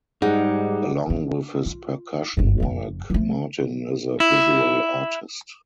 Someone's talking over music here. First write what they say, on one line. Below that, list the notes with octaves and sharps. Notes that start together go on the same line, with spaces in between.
Along with his percussion work, Martin is a visual artist.
G#2 G3 D#4 G#4 F#5
D4
F4
G1 G#2
F#1 F2
F3 A3
E4